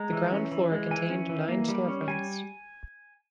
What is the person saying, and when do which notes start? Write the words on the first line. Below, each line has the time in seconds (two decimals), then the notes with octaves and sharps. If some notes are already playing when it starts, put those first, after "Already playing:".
The ground floor contained nine storefronts.
Already playing: G#3 A#5
0.13 E3
0.32 C#4
0.52 E3
0.72 G#3
0.91 E3 G#5
1.10 C#4
1.29 E3
1.48 A#3
1.68 G3
1.88 C#4
2.08 G3 G#5